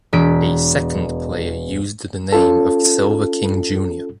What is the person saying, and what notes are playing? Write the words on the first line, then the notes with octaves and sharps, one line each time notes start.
A second player used the name of Silver King Jr.
E1 B6 D7
C#4 F4 A4